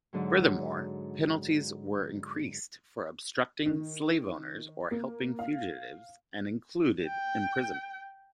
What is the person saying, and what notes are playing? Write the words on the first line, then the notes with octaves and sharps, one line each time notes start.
Furthermore, penalties were increased for obstructing slave owners or helping fugitives, and included imprisonment.
G#2 D3 F#3
D#3
A#3
F5
G5